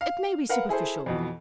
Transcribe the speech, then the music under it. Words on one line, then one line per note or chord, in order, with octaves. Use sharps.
'It may be superficial.
F5
A#4 B4 F5 F#5
E4 G#4 A4 C5
F2 B2 E3